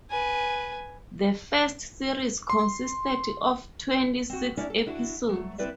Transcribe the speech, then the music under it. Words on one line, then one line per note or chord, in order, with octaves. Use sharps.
The first series consisted of twenty-six episodes.
B4 G#5
C6
C4 F#4
C#4 D4 E4 D5
A4
D4 E4 F#4
F#3 A3
C4 E4 B4 D5 E5